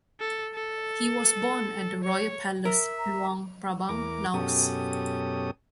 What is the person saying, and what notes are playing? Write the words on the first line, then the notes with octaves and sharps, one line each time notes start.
He was born at the Royal Palace, Luang Prabang, Laos.
A4
A4
C#5
A#4 E5
A#5
E2 A#4 D6
F#2 B2 C#4 G4 A4 D#6